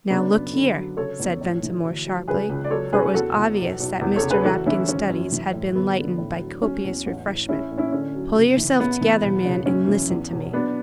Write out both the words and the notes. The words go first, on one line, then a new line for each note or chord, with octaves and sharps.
"Now, look here," said Ventimore, sharply--for it was obvious that Mr. Rapkin's studies had been lightened by copious refreshment--"pull yourself together, man, and listen to me."
C#3 B3 D4
F#2
D3
F#3
C#3 A4 C#5
E2
A2
E3
D2
F#3
C#2 G#4 B4
C#2
D5
F#3 A4 C#5
C#3 G#4 B4
E2 F#4 A4
E2
B1
B1
E2
A4 C#5
C#3
G#4 B4
E3 F#4 A4
E3 C#4 E4
G#1 C#4
F#2
E3
A2
D2 B3
D3
A2
F#3
F#3 C#4
E2
A1
A1
A1 C#4 E4
A2
C#4 E4
D3 C#4
F#3
F#1
E3
A1 B3
E3
E1
C#3
F#2 C#4
E3
E2
E1
F#3 B3 D4